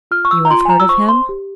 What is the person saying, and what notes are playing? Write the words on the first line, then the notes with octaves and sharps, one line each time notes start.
You have heard of him?
F4 F6
C#6
E6
A#5
F4 C6
G#5
A#5
E6
C5 C#6
C6
G4